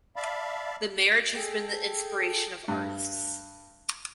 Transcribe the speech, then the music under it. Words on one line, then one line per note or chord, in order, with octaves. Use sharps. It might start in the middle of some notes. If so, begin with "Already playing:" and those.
The marriage has been the inspiration of artists.
D5 E5 F5 A5 B5
G#4 A4 G5
G2